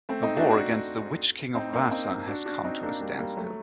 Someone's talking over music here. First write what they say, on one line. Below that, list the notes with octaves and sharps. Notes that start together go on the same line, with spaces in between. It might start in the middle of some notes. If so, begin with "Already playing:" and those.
A war against the Witch-King of Vaasa has come to a standstill.
A3 C4
C4 D#4
D4 F#4
D4 F#4
C4 D#4
A#3 D4
C4 D#4
C4 D#4
D4 F#4
D4 F#4
C4 D#4
A#3 D4
G3 A#3
G3 A#3
F#3 A3